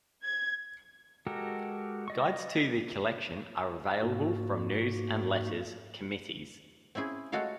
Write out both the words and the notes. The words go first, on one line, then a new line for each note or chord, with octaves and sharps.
Guides to the collection are available from News and Letters Committees.
G#6
G#3 F#4 G4 A4 A#4
D5 D#5 C#6
G#2 A#3 F#4
C4 C#4 E4 G#4
G#3 A3 F#4 A4 C#5 F5